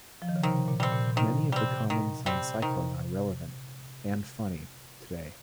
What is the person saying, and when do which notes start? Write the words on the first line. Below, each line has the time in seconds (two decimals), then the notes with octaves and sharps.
Many of the comments on cycling are relevant-and funny-today.
0.22 F3
0.29 D#3
0.36 C#3
0.43 C3 D#3
0.68 A#2
0.80 G3 C4
0.92 A#2
1.16 C3 D#3
1.52 G3 C4
1.90 D#3
2.26 G3 C4
2.62 C3 D#3